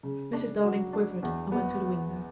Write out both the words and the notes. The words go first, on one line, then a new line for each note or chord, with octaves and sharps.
Mrs. Darling quivered and went to the window.
C#3
D4
F#3
D4
E2
B3